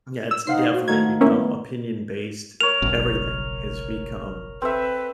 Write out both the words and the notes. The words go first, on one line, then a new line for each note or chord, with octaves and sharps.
yeah, It's definitely become opinion based. Everything has become
E6
D#4 C5 F5 F#5 C7
F#4
D#3 A3 G#6
A#3 B3 C#4 E4
A#4 C#5 F7
F#1 B1 F#2
C4 A4 B4 E5